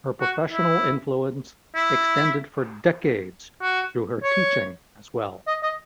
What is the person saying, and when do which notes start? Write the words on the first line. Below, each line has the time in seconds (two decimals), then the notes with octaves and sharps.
Her professional influence extended for decades through her teaching as well.
0.21 F#4
0.52 E4
1.75 E4
3.62 F#4
4.23 C#5
5.47 D#5
5.63 D#5